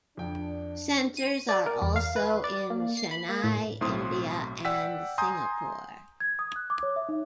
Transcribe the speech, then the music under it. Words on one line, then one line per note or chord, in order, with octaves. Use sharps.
Centres are also in Chennai, India and Singapore.
F2 D4 G5
D#7
D5
A#4
E2
F5
B4
D5
A#3
C7
B5
A#3
A2
B1 A2 C4 C6 D#6
D5 F#5 G5 E6 B6
G#5 A#5 C6 D#6 G6
G#6
D#6
F#6
D6
C#5
E5
D#4